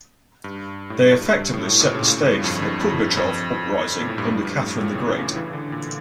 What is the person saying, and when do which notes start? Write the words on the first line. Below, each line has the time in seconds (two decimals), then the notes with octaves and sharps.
They effectively set the stage for the Pugachev Uprising under Catherine the Great.
0.44 G2
0.90 A2
0.99 G2
1.11 G2
1.26 G2
1.40 G2
1.53 A2
1.67 A2
1.80 A#2
1.94 C#3
2.08 A2
2.25 G2
2.44 F2
2.62 G2
2.81 F2
2.99 G2
3.17 F2
4.01 A#2
4.09 A2
4.18 G2
4.27 F2
4.45 G2
4.62 A2
4.80 A#2
4.94 C#3
5.09 E3
5.36 E3
5.53 D3
5.72 A#2